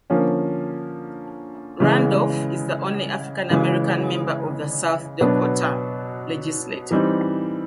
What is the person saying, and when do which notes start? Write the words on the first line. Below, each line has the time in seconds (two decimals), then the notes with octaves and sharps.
Randolph is the only African American member of the South Dakota Legislature.
0.10 D3 F3 A#3 C#4
1.80 C#3 E3 G#3
3.50 C#3 E3 G#3
5.21 B2 F#3 B3 D4
6.91 E3 G3 C4 D#4